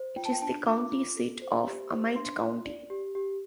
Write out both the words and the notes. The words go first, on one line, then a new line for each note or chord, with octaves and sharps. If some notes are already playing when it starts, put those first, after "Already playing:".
It is the county seat of Amite County.
Already playing: C5
F4 G5
A5
G5
D4 A5
F4 D6
F4
A4
C5
G4
C5
D4 C6
F4
D5
G4
G4